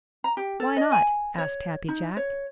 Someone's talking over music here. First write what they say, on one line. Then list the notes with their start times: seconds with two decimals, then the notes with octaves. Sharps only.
"Why not?" asked Happy Jack.
0.24 A#5
0.37 G4
0.60 A4
0.77 D#5
0.92 G#5
1.38 C#5
1.88 D#4
2.17 C#5